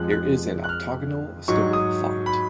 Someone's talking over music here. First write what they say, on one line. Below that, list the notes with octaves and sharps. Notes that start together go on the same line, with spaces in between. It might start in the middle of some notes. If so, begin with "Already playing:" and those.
There is an octagonal stone font.
Already playing: F2 F3 G#3 F#6
F#6
F#6
F6
G#2 F#3 C#6
D#6
B5